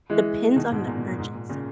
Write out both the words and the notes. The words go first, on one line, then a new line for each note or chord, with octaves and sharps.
depends on the urgency
E3 G#3
B2 D#3
G#2 B2
A#2
A#2
A#2
G#2
A#2
A#2 C#3